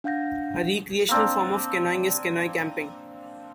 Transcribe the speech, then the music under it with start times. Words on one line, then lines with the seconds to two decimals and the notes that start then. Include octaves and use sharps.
A recreational form of canoeing is canoe camping.
0.04 D4 F5 F#5 G6 A#6
1.09 A#3 C4 D4